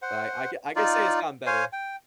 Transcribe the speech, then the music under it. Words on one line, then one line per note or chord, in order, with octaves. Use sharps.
But I I c I can say it's gotten better.
C5 F#5
D#4 F4 D5
C5 C#5 F5 G#5
G5